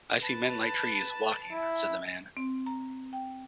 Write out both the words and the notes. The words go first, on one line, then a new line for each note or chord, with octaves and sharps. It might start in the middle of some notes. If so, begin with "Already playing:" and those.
"I see men like trees, walking," said the man.
B4 A5
E4
C4
A#5
G5